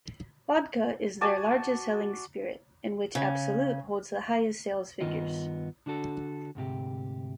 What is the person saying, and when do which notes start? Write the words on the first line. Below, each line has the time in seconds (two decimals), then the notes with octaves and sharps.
Vodka is their largest selling spirit, in which Absolut holds the highest sales figures.
1.21 F#4 D5 G#5 A5
3.15 C#3
5.01 G2 D#3 B3 F4 D#5
5.86 D3 D4 F#4 A4
6.55 D2 G#2 C3 G4